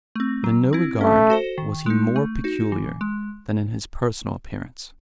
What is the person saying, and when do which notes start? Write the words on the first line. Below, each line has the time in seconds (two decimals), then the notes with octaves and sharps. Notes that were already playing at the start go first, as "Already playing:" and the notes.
But in no regard was he more peculiar than in his personal appearance.
0.15 A3 C4
0.44 F#3
0.73 C4 E4
1.01 A3 C#4
1.30 F#4 A4 C5
1.58 D#3
1.86 G#3 D#4
2.16 A3
2.44 D#4 F#4
2.72 E3
3.01 G#3